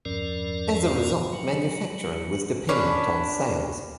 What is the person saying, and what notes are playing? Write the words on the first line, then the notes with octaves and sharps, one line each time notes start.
As a result, manufacturing was dependent on sales.
E2 G2 F3 C#4 A#4 D5
F#3
C#4 D4 B4